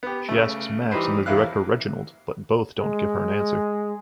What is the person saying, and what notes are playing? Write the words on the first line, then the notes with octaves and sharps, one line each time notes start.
She asks Max and the director Reginald, but both don't give her an answer.
B3 G4
C#3 A3
E3 G3 D#4 B4 C5
E2 C3 A#3 E4 F5 F#6
G#3